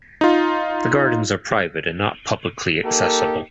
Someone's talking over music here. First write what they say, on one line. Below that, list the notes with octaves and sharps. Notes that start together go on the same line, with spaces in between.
The gardens are private and not publicly accessible.
D#4 F4
A#3 D#4 G4 A4 A#4